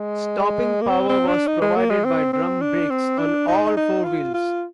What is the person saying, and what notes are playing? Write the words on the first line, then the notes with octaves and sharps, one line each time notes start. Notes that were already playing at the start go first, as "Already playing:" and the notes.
Stopping power was provided by drum brakes on all four wheels.
Already playing: G#3
A#3
C4
C4
D4
D#4
G#3
A#3
G#3
C4
C4
D4
C4
D4
D#4
D#4
F4
F4